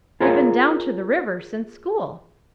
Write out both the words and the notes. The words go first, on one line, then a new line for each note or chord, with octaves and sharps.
"We've been down to the river since school."
F4 G#4 A#4 C5 C#5